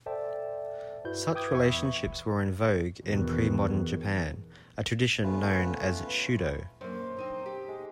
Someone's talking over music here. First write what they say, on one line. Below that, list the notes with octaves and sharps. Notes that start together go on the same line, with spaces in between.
Such relationships were in vogue in pre-modern Japan, a tradition known as shudo.
A4 C5 D5 E5 G5 A5
G2 E4 F#4 B4 G6
B4 G5 D6 D#6 G6 G#6
E2 E5 B5 C#6
E2 B2 D#3
A3 B3 C#4 F4 B4
F#2 A#3 C5
C4 D#4 A#5
G4
G#3